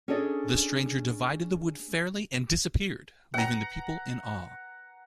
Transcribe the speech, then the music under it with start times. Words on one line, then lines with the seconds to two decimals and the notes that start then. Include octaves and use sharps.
The stranger divided the wood fairly and disappeared, leaving the people in awe.
0.08 C#4 D4 G#4 A4 D5 D#5
3.34 F#5 A#5